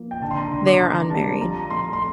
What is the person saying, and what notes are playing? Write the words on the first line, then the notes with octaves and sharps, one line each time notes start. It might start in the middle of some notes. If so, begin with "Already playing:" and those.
They are unmarried.
Already playing: F3 A#3
G5
D3 A5
C6
A#5
D3 C6
D6
D3 A#5
G3 A5
F3 A#5
A3 C6
C6